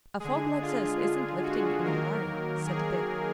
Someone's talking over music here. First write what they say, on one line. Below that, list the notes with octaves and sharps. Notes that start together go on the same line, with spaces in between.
"A fog like this isn't lifting in a hurry," said Dick.
D3 G#3 G#4
F4
F#4
D#3 F#3 A#3 A#4
G#4